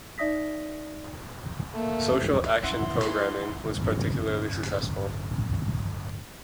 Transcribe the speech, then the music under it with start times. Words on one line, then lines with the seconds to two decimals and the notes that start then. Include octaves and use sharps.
Social action programming was particularly successful.
0.18 D#4 D5 E5 D#6 A#6 B6
1.74 A3 A#3
2.63 E3 C#4 E5 F#5 C6
3.85 D1 G1 E3 C#4